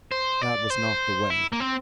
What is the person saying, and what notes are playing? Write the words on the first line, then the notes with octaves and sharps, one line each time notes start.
That was not the way.
C5
D5
C5
E4
A#3
C4